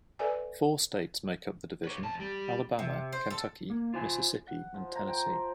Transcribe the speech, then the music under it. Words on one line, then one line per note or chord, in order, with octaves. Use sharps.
Four states make up the division: Alabama, Kentucky, Mississippi, and Tennessee.
A4 B4 D5 E5 G#5
B4 C#5
F2 A5
G3
C3
C5
A4
A#3
F4 C5 G#5
F#5
F3
A#5
G5
C5